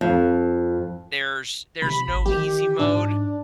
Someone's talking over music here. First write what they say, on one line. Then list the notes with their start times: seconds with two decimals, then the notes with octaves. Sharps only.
There's there's no easy mode.
0.01 F2
1.82 C3 B5
2.08 G#1
2.26 D#3 G4
2.79 G#2 D4